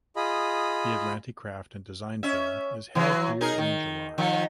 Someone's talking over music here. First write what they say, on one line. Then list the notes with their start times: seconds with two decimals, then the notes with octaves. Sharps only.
The Atlantic Craft and Design Fair is held here in July.
0.16 F4 G#4 D#5 B5
2.23 C#4 E5
2.95 E3 F#3
3.41 D#4 G#4 A#4
3.58 D#3
4.18 D#3 F3